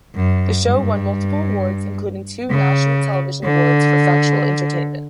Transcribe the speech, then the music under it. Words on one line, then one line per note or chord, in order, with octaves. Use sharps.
The show won multiple awards including two National Television Awards for 'Factual Entertainment'.
F#2
G2
C#3
D3